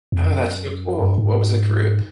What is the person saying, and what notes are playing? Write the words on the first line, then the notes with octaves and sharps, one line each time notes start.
Oh, that's so cool. What was the group?
F2
F#2
G2
G#2